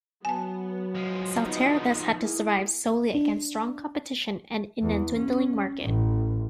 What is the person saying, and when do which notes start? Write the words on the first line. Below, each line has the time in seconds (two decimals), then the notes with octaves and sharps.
Saltair thus had to survive solely against strong competition, and in a dwindling market.
0.25 F#3 B3 G#5 A5
0.95 F3 G#3
1.40 B3 D#4 F#4
2.20 A#3 E4 G#4
3.15 D4
4.82 E2
5.18 C#4
5.83 A1